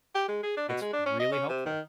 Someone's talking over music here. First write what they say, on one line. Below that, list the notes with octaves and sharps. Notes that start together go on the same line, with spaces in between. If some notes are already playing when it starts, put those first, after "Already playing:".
It's really helpful.
G4
G#3
G#4
D4
B2
G#3
D4
C#4
D#5
C#4
C3
D#3